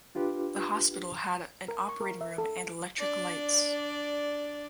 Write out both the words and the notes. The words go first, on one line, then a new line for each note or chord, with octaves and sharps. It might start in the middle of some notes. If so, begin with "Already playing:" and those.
The hospital had an operating room and electric lights.
D4 F4 G4 B4
A#4
C#6
A#4
E5
A4
D4 D5